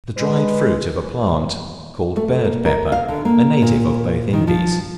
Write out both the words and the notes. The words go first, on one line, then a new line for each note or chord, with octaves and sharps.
The dried fruit of a plant called bird pepper, a native of both Indies.
G#3 B4
A3
A#3
A#4
F5
D3
A#3
A#2
D#3
F3